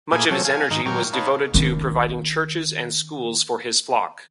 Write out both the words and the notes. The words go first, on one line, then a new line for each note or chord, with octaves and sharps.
Much of his energy was devoted to providing churches and schools for his flock.
A#2 A3 A#3 E4 G#4 G#5
F3 F#3 C4 C#4 A4
F5 G#5
G#2 D#3 D#4
A#2 F#3 A#4 C#5 G5 F6
D#4 B4 C#5 F5 A5
D#3 C#4